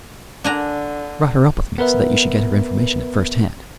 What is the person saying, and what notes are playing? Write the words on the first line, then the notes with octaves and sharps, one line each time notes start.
I brought her up with me, so that you should get her information at first hand.
D3 D4 G#5 A#5
B3 A#4 B4 E5